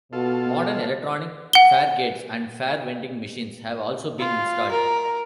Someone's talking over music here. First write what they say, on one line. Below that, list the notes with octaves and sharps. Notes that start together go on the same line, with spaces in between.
Modern electronic faregates and fare vending machines have also been installed.
B2 F4 A4
F#5 G7
F4
A#4